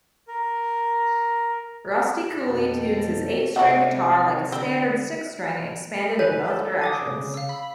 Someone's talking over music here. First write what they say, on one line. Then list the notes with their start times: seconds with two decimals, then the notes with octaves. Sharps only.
Rusty Cooley tunes his eight-string guitar like a standard six-string expanded in both directions.
0.28 A#4
2.45 F2 B2 G5 A5
3.56 C3 G#3 A3 C4 F#4 F#5
4.52 D3 C4 B5
6.19 B4 C#5 G#5
6.50 A4
6.82 G#5 D6 D#6
7.07 C#3
7.34 F5 E6
7.49 B5